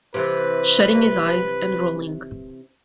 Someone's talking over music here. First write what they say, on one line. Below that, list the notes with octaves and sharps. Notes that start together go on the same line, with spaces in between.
Shutting his eyes and rolling.
C3 E3 B4